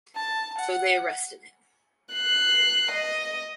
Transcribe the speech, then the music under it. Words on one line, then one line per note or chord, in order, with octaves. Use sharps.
So they arrested him.
A5
F#5
F#6 C7
D#5